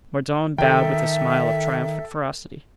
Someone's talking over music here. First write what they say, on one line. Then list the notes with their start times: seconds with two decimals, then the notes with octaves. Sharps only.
Mordaunt bowed with a smile of triumphant ferocity.
0.58 D#3 A4 E5 G5